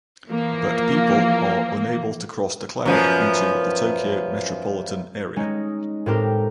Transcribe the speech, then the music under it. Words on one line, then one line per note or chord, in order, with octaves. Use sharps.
But people are unable to cross "the cloud" into the Tokyo metropolitan area.
E3 F3 A#3
F#2 F3 B3
G#3 C#4 D#4
A2 C4 G4 A#4